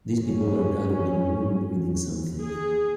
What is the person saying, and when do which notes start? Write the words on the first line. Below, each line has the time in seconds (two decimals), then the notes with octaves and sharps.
These people are gathered in a room reading something.
0.24 F#2 C#4
2.41 G#4